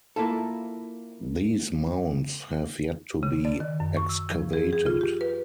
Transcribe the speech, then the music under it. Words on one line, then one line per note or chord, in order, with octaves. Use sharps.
These mounds have yet to be excavated.
A#3 E4 F4 A4
C#3
D5
D#3
F#2
C#6
E6
F3
G#4
G#4
F4
G4
B4